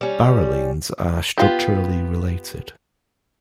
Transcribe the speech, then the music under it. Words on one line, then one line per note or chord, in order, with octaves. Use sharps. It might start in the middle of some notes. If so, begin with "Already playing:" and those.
Barrelenes are structurally related.
G3 C#4
B3 F4 G4